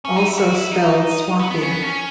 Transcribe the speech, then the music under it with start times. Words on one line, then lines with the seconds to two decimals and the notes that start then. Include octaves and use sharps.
Also spelled Swathi.
0.05 C#4
0.16 D#4
0.27 E4
0.38 F#4
0.55 E4
0.71 D#4
1.39 B3
1.50 B3
1.62 C#4
1.72 B3
1.83 C#4